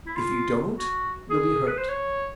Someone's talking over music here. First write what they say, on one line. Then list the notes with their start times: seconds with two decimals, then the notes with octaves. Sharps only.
If you don't you'll be hurt.
0.06 E4
0.16 F4
0.74 F#4
1.30 G#4
1.67 B4
1.78 C5
1.88 C#5